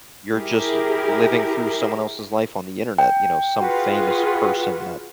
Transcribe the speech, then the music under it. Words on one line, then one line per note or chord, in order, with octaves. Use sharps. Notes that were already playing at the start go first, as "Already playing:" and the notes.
you're just living through someone else's life on the Internet, you know, some famous person that
E4 G4 G#4 A#4
G5
F4 F#4 G#4 B4